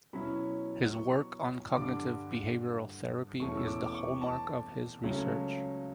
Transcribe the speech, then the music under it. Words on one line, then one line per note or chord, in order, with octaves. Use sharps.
His work on cognitive behavioral therapy is the hallmark of his research.
B2 F#3 C#4 E4 B5
C#6
G2 D3 G3 D4 D6
E2 B2 A3 C#4 E4 C#6
E6
D6
D6
C#6
A5
C#2 C#3 F#3 A3 C#4